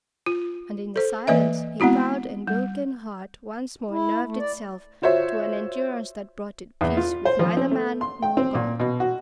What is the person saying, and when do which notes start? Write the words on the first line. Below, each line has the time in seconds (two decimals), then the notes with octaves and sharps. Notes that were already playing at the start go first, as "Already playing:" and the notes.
And in the silence a proud and broken heart once more nerved itself to an endurance that brought it peace with neither man nor God.
0.26 F4
0.96 A4 C5
1.27 E3 A#3 B4 D#5 E5
1.80 G#3 B3 C4 E4 F#4
2.47 G3
3.91 E4
4.24 A3
4.39 D5
5.02 F4 F#4 C5 C#5 E5
6.81 E2
6.97 F4
7.25 C5
7.39 F3
7.57 C4
7.71 A3
8.01 C6
8.22 G5
8.37 C4
8.55 A#2
8.80 B2
9.00 F#4